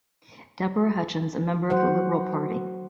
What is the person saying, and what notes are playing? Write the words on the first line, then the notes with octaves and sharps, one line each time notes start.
Deborah Hutchens, a member of the Liberal Party.
F#3 F#4 C5 F#5